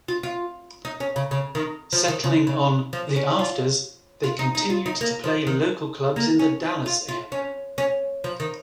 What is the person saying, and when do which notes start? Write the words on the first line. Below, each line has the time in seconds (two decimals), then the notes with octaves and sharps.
Settling on "The Afters", they continued to play local clubs in the Dallas area.
0.08 F4
0.23 F4
0.85 D#4
1.00 C#4
1.16 C#3
1.31 C#3
1.55 D#3
1.93 F3
2.08 D#3
2.24 C#3
2.47 C#3
2.93 F3
3.16 C#4
3.39 F4
4.24 F4
4.39 D#4
4.55 D#4
4.70 F4
4.86 D#4
5.01 A#3
5.24 F3
5.47 D#3
6.16 A#3
6.39 C#4
6.86 F4
7.08 F4
7.32 C#4
7.78 C#4
8.24 F3
8.40 D#3